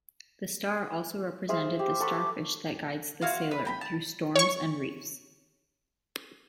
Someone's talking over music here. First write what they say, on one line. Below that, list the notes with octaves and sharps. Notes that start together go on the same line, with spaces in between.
The star also represented the starfish that guides the sailor "through storms and reefs".
E4 G#4 C5 F5
G4
A4 F#5 B5 C#6
D6
E4 F#4 F5 C6
B4
G5 A#5 B5
A5
C#5 C#6